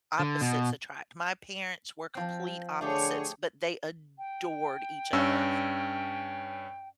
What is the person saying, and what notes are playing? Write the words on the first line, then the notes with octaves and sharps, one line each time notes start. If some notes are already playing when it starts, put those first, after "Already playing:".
opposites attract. My parents were complete opposites, but they adored each other.
D3
B2
F3 C4
D3 A3 G4 G#4 C#5
G5
G2 C#4 E6